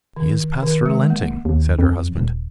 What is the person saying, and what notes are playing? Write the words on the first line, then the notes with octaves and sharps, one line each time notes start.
"He is past relenting," said her husband.
D#3
D#3
G#3
A#3
D#2
F2
D#1